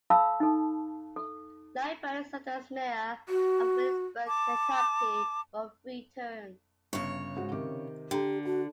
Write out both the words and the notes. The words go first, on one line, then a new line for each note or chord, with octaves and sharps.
Nighbert served as mayor of Williamsburg, Kentucky for three terms.
A4 F5 A5 B5 E6
D#4 A4
A4
F#4
A5 D6
G1 C#3 C#5
G#2 F#4
C3 D#3 D6
D3 G4 G5 A#5
F#4 A5